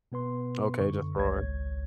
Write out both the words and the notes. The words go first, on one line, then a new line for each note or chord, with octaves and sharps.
Okay, just roar.
B2 B3 B4 C6
F#2 D3 C#6
G#1 C#2 C#5 G#6